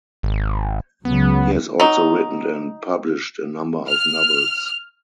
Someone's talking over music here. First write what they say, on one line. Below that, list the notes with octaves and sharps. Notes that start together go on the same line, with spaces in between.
He has also written and published a number of novels.
G#1
C#2 C#3 F#3 B3
F#3 D#4
F6